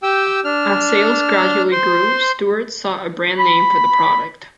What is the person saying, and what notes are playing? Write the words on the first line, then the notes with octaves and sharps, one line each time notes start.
As sales gradually grew, Stuart sought a brand name for the product.
G4 G5 E6
D4 F6
C5 C6
B5